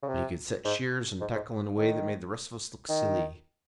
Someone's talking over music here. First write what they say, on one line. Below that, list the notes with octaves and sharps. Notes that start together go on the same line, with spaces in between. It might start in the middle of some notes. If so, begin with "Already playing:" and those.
But he could set sheers and tackle in a way that made the rest of us look silly.
C#3
C3
G#2
G#2
G#2
D#3
D#3